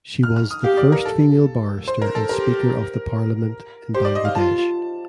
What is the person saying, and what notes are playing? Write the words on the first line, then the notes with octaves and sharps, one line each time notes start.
She was the first female barrister and speaker of the parliament in Bangladesh.
F6
F6
D#6
G4 F5
D5
A#4
A4
C5
A#4
A4
G4 A#4
G4 C5
D5
D#5
F5
F4 A5